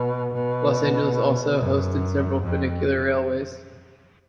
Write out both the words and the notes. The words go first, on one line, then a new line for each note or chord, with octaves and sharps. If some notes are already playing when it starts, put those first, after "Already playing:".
Los Angeles also hosted several funicular railways.
Already playing: B2
B2
F#2
F2